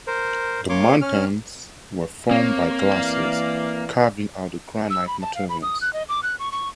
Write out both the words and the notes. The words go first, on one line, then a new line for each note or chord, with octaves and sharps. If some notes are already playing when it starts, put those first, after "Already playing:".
The mountains were formed by glaciers carving out the granite material.
A#4 C5
A#3 C#5 C6 D6
C#4 F6
A#3 C4 C#5
E3 D5 F5
E6
B5
A5
F5
B5
D#6
F#6
D#5
D6
F#6
C#6
C#6